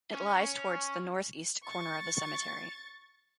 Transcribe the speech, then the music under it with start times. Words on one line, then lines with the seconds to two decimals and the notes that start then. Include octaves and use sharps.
It lies towards the north-east corner of the cemetery.
0.14 C#4
1.64 C#6 A6